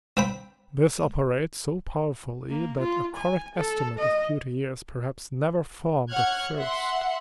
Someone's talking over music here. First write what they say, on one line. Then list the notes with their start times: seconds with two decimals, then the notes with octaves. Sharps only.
This operates so powerfully, that a correct estimate of beauty is perhaps never formed at first.
0.17 C4 G5 B5
2.50 A#3
2.80 F4
3.16 G#5
3.55 A4
3.99 D#5
6.11 C#5 F#5 F6 F#6 G#6
6.56 E5 F#5 C6